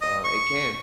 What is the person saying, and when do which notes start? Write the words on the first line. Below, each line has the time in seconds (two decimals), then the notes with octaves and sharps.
Uh, it can.
0.01 D#5
0.24 C#6